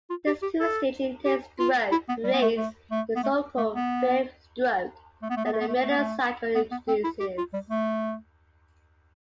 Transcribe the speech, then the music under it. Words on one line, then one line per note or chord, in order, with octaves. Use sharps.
This two-stage intake stroke creates the so-called "fifth" stroke that the Miller cycle introduces.
F4
G4
G4
A4
G4
F4
E4
B3
G3
B3
A3
A3
A3
B3
A3
A3
B3
A3
B3
A3
B3
A3
B3
A3
B3
A3
B3
A3
B3
B3
C4
E4
G4
F4
G3
A3